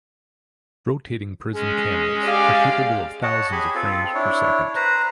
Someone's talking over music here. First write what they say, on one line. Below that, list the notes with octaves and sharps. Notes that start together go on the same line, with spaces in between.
Rotating prism cameras are capable of thousands of frames per second.
G#3 C#4 G#4
G4 D5 F5
C#5 D#5 F#5 A5
G4 G#4 G#5 B5
C4 F4 A4
D4 E4 C#5
B4 C5 A#5